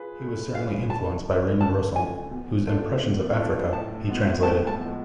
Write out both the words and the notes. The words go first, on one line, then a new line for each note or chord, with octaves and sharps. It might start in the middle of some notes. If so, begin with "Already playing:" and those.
He was certainly influenced by Raymond Roussel, whose "Impressions of Africa" he translated.
Already playing: F4 G#4 B4
A3
F4 G#4 B4 F5
D3 A5
F3 A3
D3 A5
F3 A3 G#5
B2
A3 D4 F4 A4
B2
A3 D4 F4 A4
A2 A5
F3 G#3 B3
A2 A5
A5
F3 G#3 B3